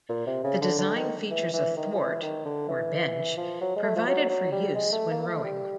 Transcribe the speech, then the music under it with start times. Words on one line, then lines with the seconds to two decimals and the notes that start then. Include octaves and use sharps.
The design features a thwart, or bench, provided for use when rowing.
0.09 A#2
0.27 C3
0.44 C#3
0.61 D3
0.79 D3
0.96 D#3
1.31 E3
1.53 E3
1.77 D#3
1.93 F3
1.99 E3
2.22 D#3
2.45 D3
2.68 E3
3.37 F3
3.61 F#3
3.76 G#3
3.83 A3
3.96 F3
4.07 F#3
4.29 F#3
4.52 G3
4.75 G#3
4.92 A3
5.11 A#3
5.22 A#3
5.27 A3
5.44 G3